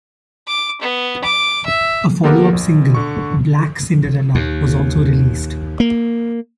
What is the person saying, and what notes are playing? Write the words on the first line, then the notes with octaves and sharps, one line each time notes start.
A follow-up single, "Black Cinderella" was also released.
D6
B3
D6
E5
A#3 B3 G4 A4 A#4 F#5
A#1
D3 C#6
D#2
A#3